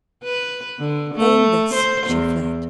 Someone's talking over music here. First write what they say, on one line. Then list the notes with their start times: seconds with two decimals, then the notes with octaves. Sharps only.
Saying this, she fled.
0.24 B4
0.79 D3
1.15 A3
1.74 C5
2.07 E2